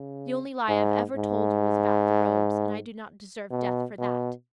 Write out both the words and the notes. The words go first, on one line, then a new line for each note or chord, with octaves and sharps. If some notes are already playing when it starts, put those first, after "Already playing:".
The only lie I have ever told you was about the robes, and I do not deserve death for that.'
Already playing: C#3
G#2
G#2
B2
B2